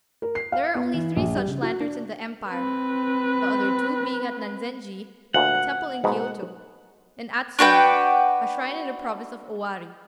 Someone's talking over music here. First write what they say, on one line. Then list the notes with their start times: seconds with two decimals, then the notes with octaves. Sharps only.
There are only three such lanterns in the empire; the other two being at Nanzenji--a temple in Kiyoto, and Atsura, a shrine in the province of Owari.
0.22 A#4
0.35 C7
0.52 F5
0.75 B3
0.94 E3
1.17 A#1
1.36 G3
1.47 C#3
1.62 F#4
1.80 D4
2.49 C4 B4
5.34 D2 A#2 F#5
6.04 G#2 B2 G#3
7.59 D4 F#4 B4 G5